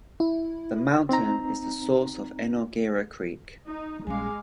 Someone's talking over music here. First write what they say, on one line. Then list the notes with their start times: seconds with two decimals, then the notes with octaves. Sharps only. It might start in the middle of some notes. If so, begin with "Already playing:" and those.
The mountain is the source of Enoggera Creek.
0.20 E4
1.09 C4 D#4 A#5
3.67 D#4
4.07 A#1 G3 G#3 C#4 F5 G#5 D6